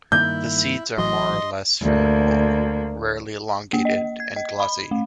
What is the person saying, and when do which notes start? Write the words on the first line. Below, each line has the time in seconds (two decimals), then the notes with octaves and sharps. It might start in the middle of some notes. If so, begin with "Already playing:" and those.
The seeds are more or less spherical, rarely elongated and glossy.
0.12 G2 D#3 A#3 E4 G6
0.98 A1 E3 F#3 D#5 C6
1.81 D2 A#3
3.73 A#3
3.85 D#5
4.20 G#6
4.36 D#5
4.60 B5
4.91 A3